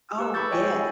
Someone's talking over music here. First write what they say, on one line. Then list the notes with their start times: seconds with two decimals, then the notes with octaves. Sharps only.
Oh, yes.
0.18 G4 B4 E6
0.34 B5 C#6 E6 G6 A6
0.51 C#5 D#5 G5 G#5